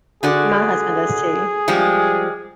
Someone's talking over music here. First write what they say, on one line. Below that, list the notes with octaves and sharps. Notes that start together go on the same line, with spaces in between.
My husband does too.
D3 F#4 G#4 D5
F3 G3 G#3